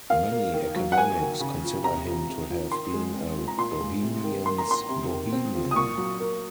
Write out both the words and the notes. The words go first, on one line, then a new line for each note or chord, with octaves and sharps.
Many academics consider him to have been a bohemian's bohemian.
A#3 F5
A#3
D#3
F#3
F#5
A#3 G#5
D#3
C#3
F3
C3 A#5
F3
C3
F3
D#3 C6
G#3
C4
F3
A#5
A#2 C6
G#3
C3
D#3
A#3 C6
A#5
A#3 C6
C3
D#3
C4
F3
D#6
A#2 C#6
F#3
A#3